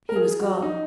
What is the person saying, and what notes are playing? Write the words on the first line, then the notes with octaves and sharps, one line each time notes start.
He was gone.
A#4
G#4
F#4
D#4